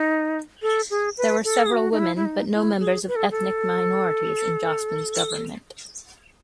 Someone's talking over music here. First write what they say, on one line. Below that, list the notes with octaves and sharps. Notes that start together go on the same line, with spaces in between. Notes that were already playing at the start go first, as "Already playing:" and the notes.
There were several women but no members of ethnic minorities in Jospin's government.
Already playing: D#4
A4
G#4
B4
A4
G#4
F#4
D#4
E4
E4
D#4
E4
G#4
B4
A4
G#4
A4